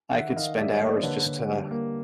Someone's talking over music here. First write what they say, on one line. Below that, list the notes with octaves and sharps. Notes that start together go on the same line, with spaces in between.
I could spend hours just, uh,
D#3 E5 F#5
D#3 D#5 F5
G3 D5 E5
C#5 D#5
A#3
C5 D5
D3 B4 C#5
D3
G3
A#3